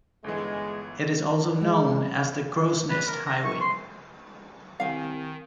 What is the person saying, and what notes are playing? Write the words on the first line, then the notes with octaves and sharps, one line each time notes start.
It is also known as the Crowsnest Highway.
G1 D3 E3 G#3
G#3
B4
A#4
A#5
C#6
C6
C2 D#3 F5 G#5